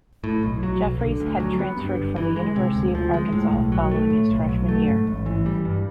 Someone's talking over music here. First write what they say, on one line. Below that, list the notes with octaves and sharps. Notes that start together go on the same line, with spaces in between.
Jefferies had transferred from the University of Arkansas following his freshman year.
A2
B1
F#3
B1
D3
D2
F#3
B3
G2
G1
E3
G#3
C3
D2
F3
G#3
A2
B1
F#3
A3
A2
B1
F#3
A3
G#2
A1
E3
G3
G2